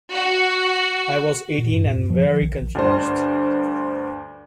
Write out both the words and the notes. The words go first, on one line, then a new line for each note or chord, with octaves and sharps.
I was eighteen and very confused.
F#4
A#2
G2
A#2
F#2
F3
D#3
A#1
D2 G2 C5